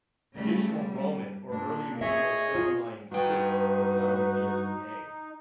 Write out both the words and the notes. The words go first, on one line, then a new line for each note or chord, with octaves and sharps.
Additional Roman or early medieval stone lined cists were found near Egg.
C#3 G3 A3
G3
A#2 D4
G#4 C#5 D#5 E5
F4
G2 D#4 F#4 B4 G5